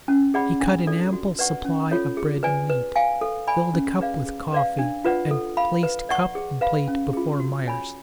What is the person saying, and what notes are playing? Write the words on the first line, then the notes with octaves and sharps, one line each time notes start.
He cut an ample supply of bread and meat, filled a cup with coffee and placed cup and plate before Myerst.
C#4
G#4 D5 F#5 B5
D4
F4 A4 D5
F#4
B4 D5 F#5 C#6
C#4
F4 A4 C#5
G#4
B4 D5 G#5
B4
F5 G#5
A4
D5 G#5 B5
C#4
G#4 B4 D5 F5
G#4
B4 D5 F5
D4
F4 B4 D5 F#5
A4
F5 B5
B4
D5 F#5 C#6
G#4
B4 F5 B5
C#4
F4 G#4
F#4
C#5 G#5 B5